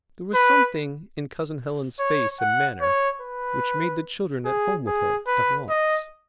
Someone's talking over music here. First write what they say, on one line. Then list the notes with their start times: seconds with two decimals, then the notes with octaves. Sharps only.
There was something in Cousin Helen's face and manner, which made the children at home with her at once.
0.34 B4
1.99 C#5
2.40 F#5
2.81 C#5
3.22 B4
4.45 G#4
4.87 G#4
5.27 B4
5.69 D#5